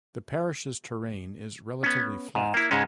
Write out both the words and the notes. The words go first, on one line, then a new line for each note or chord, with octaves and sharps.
The parish's terrain is relatively flat.
B3 C#4
G#2
A#3 E4
G#2 C#3 G#3 C#4